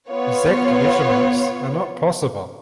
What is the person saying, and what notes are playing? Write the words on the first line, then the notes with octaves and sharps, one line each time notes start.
Exact measurements are not possible.
B3 F4 C#5